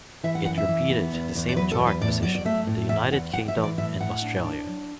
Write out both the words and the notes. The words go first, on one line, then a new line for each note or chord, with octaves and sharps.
It repeated the same chart position in the United Kingdom and Australia.
E3 E5
F#5
F#2 F#5
E5
E3
B3
E2
E2
D5
F#3 B4
A4
E2
B4
A2 D5
F#3 D5
D5
A3 E5
A2
E2 E5
E2 F#5
E2 F#5
E5
E3
D5
A2 E5
A2 F#5
D4
D4
F#3